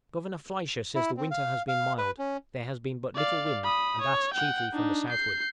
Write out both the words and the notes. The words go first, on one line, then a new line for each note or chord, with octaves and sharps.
Governor Fliescher says the winter has been mild; there has been but little wind, and that chiefly from the southward.
E4
C4
F5
F5
B4
C#4
D5 F5
B5 D#6
C#5
F#5 G5
D4 D#4
G6 C7